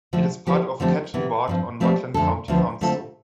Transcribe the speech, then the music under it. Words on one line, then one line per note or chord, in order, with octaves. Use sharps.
It is part of Ketton ward on Rutland County Council.
D3 F3 A3 D4
F3 B3 E4 G4
D3 F3 A3 C4 G4
C3 E3 B3
G2 F3 C4
F3 A3 C4 G4 D5
F2 D3 A3 D4 A4
D2 D3 F3 B3
D3 A3 C4 F4 A4